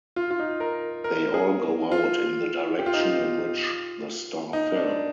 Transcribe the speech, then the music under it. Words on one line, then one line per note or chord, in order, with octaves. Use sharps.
They all go out in the direction in which the star fell.
F4
F4
D#4
A#4
A#4
G#4
F4
G4
F4
D#4
F4
D#4
D4